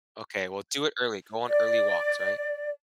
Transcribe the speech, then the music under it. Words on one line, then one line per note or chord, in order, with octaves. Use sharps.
Okay, well, do it early. Go on early walks, right?
D5